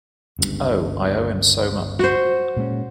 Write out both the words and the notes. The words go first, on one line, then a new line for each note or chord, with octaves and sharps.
Oh, I owe him so much.
G1 C#2 G2
F#4 C5
A#2 G#3 C#4